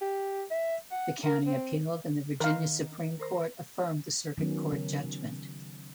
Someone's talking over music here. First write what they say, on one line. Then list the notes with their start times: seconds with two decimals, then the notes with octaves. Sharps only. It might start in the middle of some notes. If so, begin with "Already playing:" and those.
The County appealed, and the Virginia Supreme Court affirmed the Circuit Court judgment.
0.01 G4
0.51 E5
0.91 F#5
1.24 A#4
1.46 C4
2.40 D#3 A#4 F5
3.20 A#4 C5 A#5
4.38 D#3 F#3 B3 C#4
4.72 C#3 C#4